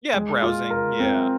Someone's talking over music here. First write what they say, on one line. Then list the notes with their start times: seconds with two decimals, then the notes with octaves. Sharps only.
Yeah, browsing, yeah.
0.14 G#3
0.42 F4
0.70 A#4
1.00 C4